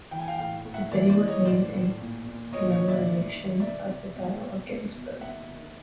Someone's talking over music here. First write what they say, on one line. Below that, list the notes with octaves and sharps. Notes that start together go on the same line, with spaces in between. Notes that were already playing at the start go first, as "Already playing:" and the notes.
The city was named in commemoration of the Battle of Gettysburg.
E3 G5
G#5
F5 G5
A2 F5 G5
A2
E5 F#5
E3 D5 E5
C5 D5
E3
C#5 D#5
A2 C5 D5
A2
A#2
A#2
A#2 C#5 D#5
C#5 D#5
A#2
D5 E5
D#3
D#3
C3 D5 E5
C3
B2
B2
B2
B2
D#3 E5 F#5
D#3